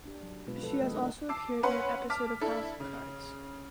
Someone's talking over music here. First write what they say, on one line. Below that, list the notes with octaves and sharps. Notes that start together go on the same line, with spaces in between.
She has also appeared in an episode of "House of Cards".
D4 G4
F#3
B2 G#3 B3 F4 B4
F3 A4 B4
D#3 G#3 A#3 B4 D#5
A#3 D4 D#4 A#4
A5 D6 E6 C7
C#4 B4 F#5 C6
A5 D6 F6 B6
D4 E4 A4
C#3